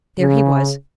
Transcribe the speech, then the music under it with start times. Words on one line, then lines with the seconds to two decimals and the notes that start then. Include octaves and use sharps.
There he was!
0.19 C#3